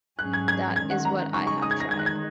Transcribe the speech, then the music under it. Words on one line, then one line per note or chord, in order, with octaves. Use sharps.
That is what I have tried.
G#2 F#3 C#4 G#4 F#6
G#6
G#6
D#3 G#3 C#4 G#6
F#5
A#5
C#3 G#3 D#4 G#4 C#6
C#6
D#6
G#6
A#6
D#3 G#3 D#4 G#6
F#6
G#6